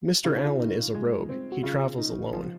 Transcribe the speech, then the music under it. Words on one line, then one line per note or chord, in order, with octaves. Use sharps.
Mr. Allen is a rogue: he travels alone.
C#3 F4
D#4
F4
D#4
G#3
C4
F#4
C#3 F4
D#4
F3